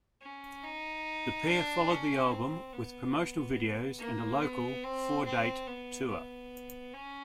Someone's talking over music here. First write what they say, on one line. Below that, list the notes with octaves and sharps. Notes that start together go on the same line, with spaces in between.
The pair followed the album with promotional videos and a local four-date tour.
C#4
D#4
D4
C#4
C4
B3
A#3
B3
C4
C4
B3
B3
C#4